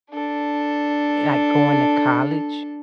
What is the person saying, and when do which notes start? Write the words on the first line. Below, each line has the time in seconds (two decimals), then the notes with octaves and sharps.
like, going to college,
0.11 D4 A4